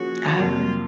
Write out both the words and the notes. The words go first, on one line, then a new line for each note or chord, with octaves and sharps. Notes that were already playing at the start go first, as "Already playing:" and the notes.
I agree.
Already playing: F3 A#3 C#4 F#4 G#4
F2 C3 F#3 A#3 F4